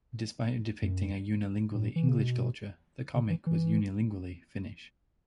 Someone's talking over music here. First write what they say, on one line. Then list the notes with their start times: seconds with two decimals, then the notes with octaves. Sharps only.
Despite depicting a unilingually English culture, the comic was unilingually Finnish.
0.82 F#2
1.75 A2
1.96 E3
2.09 C#3
2.22 B2
3.15 C#3
3.30 E3
3.46 E3